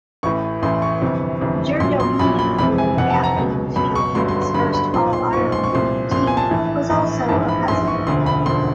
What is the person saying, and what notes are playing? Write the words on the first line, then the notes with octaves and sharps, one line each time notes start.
Jer Doheny, who captained Kilkenny's first All-Ireland winning team, was also a cousin.
A1 A2 E3 C#6
A1 A2 E3 C6
C#6
G1 F2 C3 E3
G1 F2 C3 E3
A#1 A#2 F#3 C6
C6
A#1 A#2 F#3 B5
B5
F1 F2 C3 E3 B5
G#5
F1 F2 C3 E3 F#5
A5
A#5
C#2 B2 F#3
C#2 B2 F#3 B5
C#6
G1 G2 D3 F#3 C6
C6
C6
G1 G2 D3 F#3 B5
B5
B1 A#2 F3 C6
C6
B1 A#2 F3 C#6
C6
C#6
C2 A#2 F3 C6
C2 A#2 F3 C6
G#5
A5
A#1 A2 E3
A#1 A2 E3
A#1 G#2 E3 A5
B5
A#1 G#2 E3 C6
C#6
E1 D2 D3 F3 C6
B5
E1 D2 D3 F3 C6